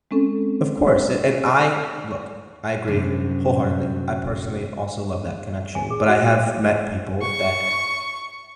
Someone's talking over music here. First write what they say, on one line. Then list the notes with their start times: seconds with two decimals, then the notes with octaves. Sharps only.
of course, a and I look, I agree wholeheartedly. I personally also love that connection, but I have met people that
0.11 G#3 C4 C#4 A4
2.87 F#2 C3 F#3 C#4 D4
5.75 G#5
5.90 G#4
6.09 F#4
6.22 G5
7.22 C#6